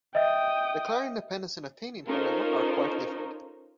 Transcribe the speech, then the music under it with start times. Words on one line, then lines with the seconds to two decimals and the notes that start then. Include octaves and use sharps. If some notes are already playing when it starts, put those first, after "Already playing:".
Declaring independence and attaining it however, are quite different.
0.15 D#5 E5 G5 D#6
2.07 C#4 D#4 F4 A4 A#4 C5